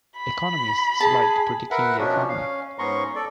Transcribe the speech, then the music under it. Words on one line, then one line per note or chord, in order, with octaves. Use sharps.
Economists like predicting the Economy.
B5
G#4 A5
A#4 B4 E5 F#5
B2 F3 C#4 D4
C#4 F5
G#2 B3 C#4 A#5 C6 C#6
A4 D5